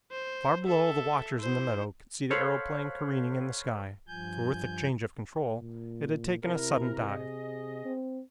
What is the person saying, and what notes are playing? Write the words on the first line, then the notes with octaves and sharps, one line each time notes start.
Far below the watchers in the meadow could see the aeroplane careening in the sky, for with the change of control it had taken a sudden dive.
C5
A4 E5
E4 C5
A4 C5 C#5 F5 F#5 B5
G2 F3 G#5 G6
A#2
C3 E4 A#4
G#4 D#5
C4